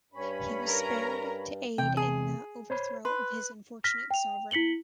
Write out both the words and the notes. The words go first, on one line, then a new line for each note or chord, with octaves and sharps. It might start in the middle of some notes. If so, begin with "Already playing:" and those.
He was spared to aid in the overthrow of his unfortunate sovereign.
G2 C#4 B5
A#4 A#5
E2 C3 G5
G#4
C5 C#5 B5
B4 C6
F6 A#6 B6
G5 F7
E4 B6 C#7 F#7 G7